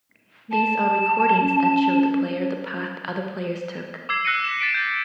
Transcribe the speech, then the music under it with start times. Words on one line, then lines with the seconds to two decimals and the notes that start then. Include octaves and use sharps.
These are recordings that show the player the path other players took.
0.51 A5
1.40 C#4
4.09 D6 E6 G#6 C7
4.25 E6 F#6 A#6 C#7 D#7
4.44 B6 E7
4.60 A6 B6 D7
4.74 G6